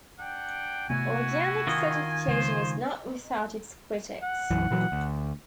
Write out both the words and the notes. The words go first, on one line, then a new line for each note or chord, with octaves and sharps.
Organic certification is not without its critics.
D4 F#5 G5
C3 A3 B3 E4 F#4 G#5
D#3 F4 D#5
C#3 G#3 C5
F#5
B1 F#2 E3
A#2 E3 F#3
D2